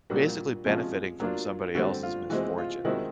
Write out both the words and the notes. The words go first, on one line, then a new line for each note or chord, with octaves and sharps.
basically benefiting from somebody else's misfortune."
A#2 G3 A#3 D4 F#4
C3 F3 G#3 C#4 F4
F#3 A#3 D4 F4
D3 G3 C4 F#4
F4
E3 G#3 C4 F#4
F4
D#3 G#3 C4 E4 F#4